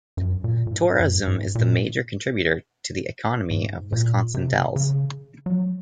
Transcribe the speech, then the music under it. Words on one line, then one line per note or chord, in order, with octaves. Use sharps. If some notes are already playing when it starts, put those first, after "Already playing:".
Tourism is the major contributor to the economy of Wisconsin Dells.
F#2
A#2
A#2
G#2
F#2
G#2
A#2
G#2
A#2
C3
C#3
F#3